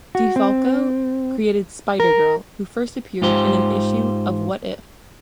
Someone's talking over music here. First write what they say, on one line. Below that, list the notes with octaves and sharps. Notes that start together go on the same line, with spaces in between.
DeFalco created Spider-Girl, who first appeared in an issue of What If?
F#4
C4
A#4
G#2 F4 G4 C5